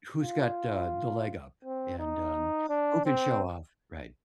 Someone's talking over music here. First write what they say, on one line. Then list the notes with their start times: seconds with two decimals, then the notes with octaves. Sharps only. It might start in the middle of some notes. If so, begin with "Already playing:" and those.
who's got the the leg up and, um, who can show off, right.
0.22 F4
1.65 C4
1.99 D#4
2.69 D4
3.06 C4